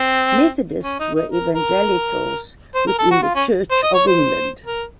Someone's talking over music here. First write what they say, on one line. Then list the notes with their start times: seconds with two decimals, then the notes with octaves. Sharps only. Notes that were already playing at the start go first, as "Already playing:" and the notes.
Methodists were evangelicals within the Church of England.
Already playing: C4
0.84 C#4
1.00 D#4
1.15 D#4
1.32 A#4
1.55 A#4
2.75 C5
2.88 A#4
2.99 A4
3.11 F#4
3.23 F4
3.35 C#4
3.71 C5
3.83 D#5
3.94 C#5
4.07 C5
4.67 A#4